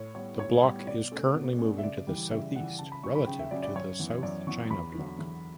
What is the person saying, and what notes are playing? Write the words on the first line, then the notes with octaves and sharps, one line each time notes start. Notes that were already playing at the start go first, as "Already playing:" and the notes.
The block is currently moving to the southeast relative to the South China block.
Already playing: A2 C#5
G3 B3 C#5
A2 C#5
G3 B3
B2 D5
A3 C#4
B2
A3 C#4
E5
C#3 D5
E3 G3
C#3 E5
E3 G3 F#5
C#3 A5
B5
F#3 C#4 C#6
B5
C#3 G5
E5
F#3 C#4 D5
D5
F#2 C#5
E3 B3
F#2 D5
E3 B3 C#6
E2 B5
D3 F#3
E2